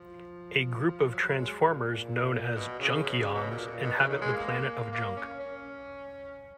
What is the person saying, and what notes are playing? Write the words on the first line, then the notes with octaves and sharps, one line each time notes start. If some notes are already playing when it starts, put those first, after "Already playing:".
A group of Transformers known as Junkions inhabit the Planet of Junk.
Already playing: F3
F#3
G#3
A#2
B2
C#3
B2
C#3
B2
A#2
A#2
B2
C#3
D#3
G#3
A#3
A#3
C#4
C#4